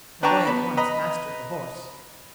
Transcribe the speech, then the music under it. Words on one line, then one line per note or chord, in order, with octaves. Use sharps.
The boy at once mastered the horse.
D4 B4 G5 A5 A#5 C#6
B3 B5
B4 D#5 A#5 B5